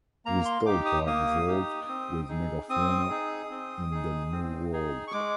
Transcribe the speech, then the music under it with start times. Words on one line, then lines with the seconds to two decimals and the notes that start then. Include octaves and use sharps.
It is thought to have evolved with megafauna in the New World.
0.26 A#3 A#5
0.45 C6
0.66 D#4 G4 D6
0.86 D#6
1.06 A#3 D#6
1.47 D#4 G4
1.88 C4
2.29 D#4 G#4
2.69 C4 D#6
3.10 D#4 G#4
3.51 C4
3.91 D#4 G#4
4.32 C4
4.73 D#4 G#4
5.07 C#6
5.13 G#3 D6